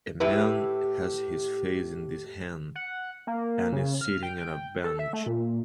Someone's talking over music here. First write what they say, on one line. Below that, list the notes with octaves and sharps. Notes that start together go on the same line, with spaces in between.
A man has his face in his hand and is sitting on a bench.
A2 E4 G4 B4
F#5
A#3
C#3
F6
G5
G5
A4
E5
A3
A#2